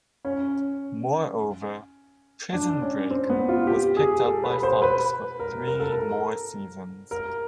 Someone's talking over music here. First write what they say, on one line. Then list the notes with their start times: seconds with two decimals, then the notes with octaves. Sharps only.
Moreover, "Prison Break" was picked up by Fox for three more seasons.
0.25 C#4
2.53 D4
2.82 C#4
3.10 C4
3.30 B3
3.49 F4
3.67 G4
3.97 G#4
4.25 A4
4.44 B4
4.63 C5
4.82 B4
5.39 A#4
5.68 A#4
5.80 A4
5.93 A#4
7.11 A#4